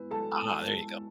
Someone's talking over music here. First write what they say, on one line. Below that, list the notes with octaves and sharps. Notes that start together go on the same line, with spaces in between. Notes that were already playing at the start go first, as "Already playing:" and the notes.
Ah, there you
Already playing: G#3 B3 E4 B4
G#3 A4 A5
G#3
E4